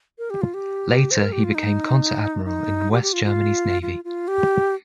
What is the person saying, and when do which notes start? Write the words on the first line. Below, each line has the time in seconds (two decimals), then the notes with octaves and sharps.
Later, he became a Konteradmiral in West Germany's navy.
0.19 A#4
0.30 G4
0.41 F4
0.54 G4
1.11 C5
1.21 A#4
1.32 G4
1.44 F4
1.55 D#4
2.45 D#4
2.92 G4
3.02 G4
3.13 F4
3.25 F4
3.82 F4
4.04 F4
4.28 G4